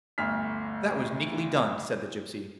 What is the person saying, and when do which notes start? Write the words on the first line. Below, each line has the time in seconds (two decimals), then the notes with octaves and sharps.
'That was neatly done,' said the gypsy.
0.18 G1 D2 F6 B6